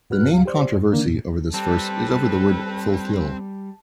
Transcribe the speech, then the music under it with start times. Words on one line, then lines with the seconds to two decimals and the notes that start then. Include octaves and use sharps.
The main controversy over this verse is over the word fulfill.
0.10 G2 F#4 B4 F6 F#6
0.31 D2 G3 F5
0.45 G4 C5 D5
0.77 F#2
0.92 D3 D#3 A#3 D4
1.06 F#2 A#2
1.54 G3 C4 A4 B4 A5